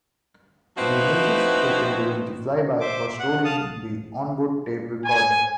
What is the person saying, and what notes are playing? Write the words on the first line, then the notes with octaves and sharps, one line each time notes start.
The images taken during the flyby were stored in the on-board tape recorder.
F3 C4 D#4 E4 F#4 B4
C5 E5 D6
F#5
F5 A5 D#6
G#5